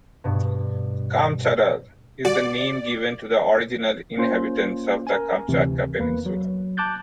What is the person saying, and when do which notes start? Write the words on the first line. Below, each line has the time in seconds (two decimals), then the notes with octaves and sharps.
"Kamchadal" is the name given to the original inhabitants of the Kamchatka Peninsula.
0.24 G2 B2
2.25 F#4 D5
4.17 A#3 C#4 F4 C5
5.07 A#4 G#5
5.48 D2 C3 E3
5.99 E2 A#3 B4
6.26 F#3
6.77 A5 D6 F#6 G6 A6